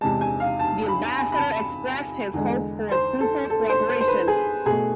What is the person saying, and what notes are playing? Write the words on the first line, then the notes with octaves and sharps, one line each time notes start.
The Ambassador expressed his hope for fruitful cooperation.
E2 C3 G#3 A5
G#5
F5
A5
B5
G#5
B5
A5
E2 D3 G#3
C5
A4
A4
C5
C5
C5
B4
G#4
B2 A3 G#4